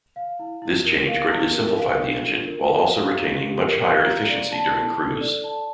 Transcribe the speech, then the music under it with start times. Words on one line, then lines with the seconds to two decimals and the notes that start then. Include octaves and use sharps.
This change greatly simplified the engine, while also retaining much higher efficiency during cruise.
0.16 F5
0.39 E4
0.62 E4
0.85 A#4
1.08 F5
1.32 E4
1.54 A#4
1.77 F5
2.00 D4
2.23 F4
2.46 A#4
2.69 F5
2.92 F5
3.14 A#5
3.37 G4
3.60 A#4
3.84 F5
4.06 A#5
4.29 D5
4.52 A5
4.75 E4
4.97 A4
5.21 D5
5.44 A5